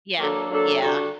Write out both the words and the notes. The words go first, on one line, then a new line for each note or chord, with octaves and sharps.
Yeah, yeah.
F#3 A#3 D4 A4
F#3 A#3 D4 A4
D3 G3 D4 F#4 A4